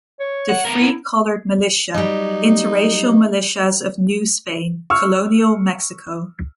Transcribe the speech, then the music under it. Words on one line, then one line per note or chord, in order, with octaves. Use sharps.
The Free-Colored Militia, interracial militias of New Spain, Colonial Mexico.
C#5
F#5
B3 A#4
E4
F#3 G3 D#4
C#6 E6 F6